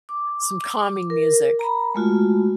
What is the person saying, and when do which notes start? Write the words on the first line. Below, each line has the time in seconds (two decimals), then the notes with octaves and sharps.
some calming music.
0.09 D6
1.10 A#4
1.59 A#5 B5
1.94 G#3 A3 F4 F#4